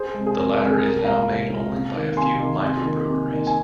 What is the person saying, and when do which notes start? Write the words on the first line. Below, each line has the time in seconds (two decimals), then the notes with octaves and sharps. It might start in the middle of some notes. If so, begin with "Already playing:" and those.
The latter is now made only by a few microbreweries.
Already playing: G#4 C5
0.14 C3 G#3
0.27 G#4
0.37 F2 A#4
0.59 C3 G#3
0.73 G#4
0.81 C2 A#4
1.04 A#2 G#3 F5 A#5
1.27 C2
1.49 A#2 G#3
1.72 C3
1.94 D#3 A#3 D#4
2.17 C3 G#5 C6
2.40 D#3 A#3 D#4
2.62 C3
2.85 D#3 A#3 D#4
3.07 C3
3.29 D#3 A#3 D#4
3.47 G#5